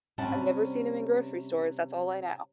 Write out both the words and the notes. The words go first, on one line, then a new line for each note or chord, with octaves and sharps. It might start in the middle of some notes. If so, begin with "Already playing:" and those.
I've never seen 'em in grocery stores, that's all I know,
C3 G3 C#4 C5 F#5 A5